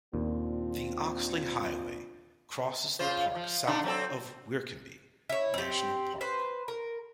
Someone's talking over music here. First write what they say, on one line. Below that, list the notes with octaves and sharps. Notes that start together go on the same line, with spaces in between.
The Oxley Highway crosses the park south of Werrikimbe National Park.
D#2 A#2 C4 D4 F4
C#3 F4 C5
F3
D3 D4 D#4
F#3 C4 A4
E4 C#5
C4 G4
B4 C5
A#4